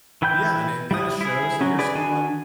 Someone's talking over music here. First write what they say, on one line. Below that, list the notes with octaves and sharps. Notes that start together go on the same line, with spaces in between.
Yeah, and it kinda shows that you're someone
E3 E4 G5 B5 G6
G3 E4 D#6
E4 G#4
F#3 C#4
G#4 B4 D5
D4 F#4 G#5